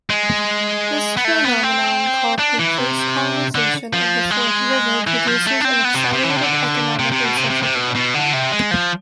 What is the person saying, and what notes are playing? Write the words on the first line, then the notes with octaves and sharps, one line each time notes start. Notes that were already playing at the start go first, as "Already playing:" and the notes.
This phenomenon called "The First Colonization of the Fourth River", produces an accelerated economic and social development.
G#3
B3
A3
B3
C4
D4
E3
C3
D3
F3
G#3
E3
F3
A3
D4
C4
B3
C3
B2
C3
E3
D3
C3
D3
C3
C3
B2
C3
C3
C3
B2
B2
D3
C3
G#3
F3